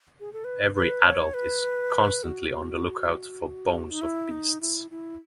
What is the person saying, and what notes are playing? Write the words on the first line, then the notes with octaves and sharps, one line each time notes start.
Every adult is constantly on the lookout for bones of beasts.
G#4
A4
B4
B4
C#5
B4
F#4
D#4
E4
D#4
E4
E4